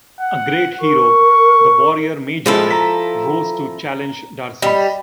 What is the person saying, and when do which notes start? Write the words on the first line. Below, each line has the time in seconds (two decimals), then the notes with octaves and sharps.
A great hero, the warrior "Magi", rose to challenge Darces.
0.20 F#5
0.81 A#4 C#6
2.46 F3 G#3 E4 A4
2.71 A#5 B6
4.62 G3 D#5 B5